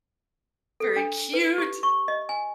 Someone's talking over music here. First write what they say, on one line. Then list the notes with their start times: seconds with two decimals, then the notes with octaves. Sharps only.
very cute.
0.80 A4
0.96 D4
1.33 B4
1.58 G4
1.83 C#6
2.08 D#5
2.29 G#5